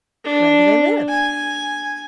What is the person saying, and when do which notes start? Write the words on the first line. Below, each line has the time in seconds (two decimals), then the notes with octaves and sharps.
"Where do they live?"
0.24 D4
1.09 G#5